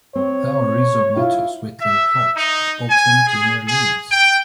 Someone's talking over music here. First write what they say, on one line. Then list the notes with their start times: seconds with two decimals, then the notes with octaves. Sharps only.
They are rhizomatous wetland plants with alternate linear leaves.
0.15 C4 C#5
1.16 E4 F4
1.81 E5
2.35 D#4
2.90 G#5
3.27 G#4
3.67 G#4
4.11 G5